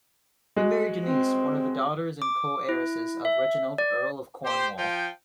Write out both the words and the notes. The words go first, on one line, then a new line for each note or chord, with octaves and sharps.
He married Denise, one of the daughters and coheiresses of Reginald, Earl of Cornwall.
G#3 F#4
C4
D6
E4
E5
D5
G4 C5
F3 G5